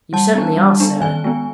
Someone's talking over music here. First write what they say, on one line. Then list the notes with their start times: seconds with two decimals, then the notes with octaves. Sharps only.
"You certainly are, sir."
0.13 G3 A5
0.35 B3 D4
0.57 G3
0.80 B3 D4
1.01 D#3 G#5
1.24 G#3 B3